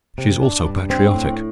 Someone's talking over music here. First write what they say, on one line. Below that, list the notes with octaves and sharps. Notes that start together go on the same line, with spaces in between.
She is also patriotic.
C3
D4
G2
C4
A2